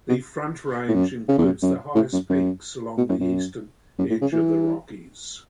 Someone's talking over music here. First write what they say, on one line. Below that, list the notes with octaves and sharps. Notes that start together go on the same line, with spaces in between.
The Front Range includes the highest peaks along the eastern edge of the Rockies.
B2
A2
F#2
C#3
E2
F#2
F#2
A2
F#2
F#2
B2
F#2
F#2
F#2
A2
C#3
E3